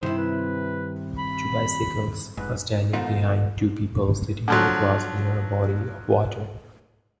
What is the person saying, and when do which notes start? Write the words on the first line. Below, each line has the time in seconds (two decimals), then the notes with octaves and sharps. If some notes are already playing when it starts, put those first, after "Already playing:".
Two bicycles are standing behind two people sitting on the grass near a body of water.
0.03 G2 C3 D#3 E4 C5
0.18 B4
1.18 B5
2.37 F1 G#2 B4
2.93 G#2 B2 D#3 A3 D#4 F4
4.48 D3 F3 F#3